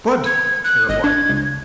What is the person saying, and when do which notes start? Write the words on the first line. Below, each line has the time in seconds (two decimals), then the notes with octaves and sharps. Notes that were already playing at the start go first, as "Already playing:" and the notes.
"Good!" he replied.
0.26 G#6
0.64 F#6
0.89 G#1 D#5
1.04 D4 G#6
1.29 C#2